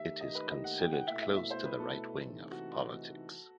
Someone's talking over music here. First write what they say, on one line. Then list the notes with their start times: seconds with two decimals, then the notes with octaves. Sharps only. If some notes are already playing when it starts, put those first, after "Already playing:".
It is considered close to the right wing of politics.
Already playing: D#3 A3 D#4 G4 E5
0.21 D#5
0.35 B4
0.49 D#5
0.64 F#5
0.79 G5
0.92 F#5
1.07 B2 A3 E4 E5
1.22 E5
1.36 E5
1.50 C5
1.65 B4
1.79 A4
2.22 C3 E3 A3 D#4
2.51 F#4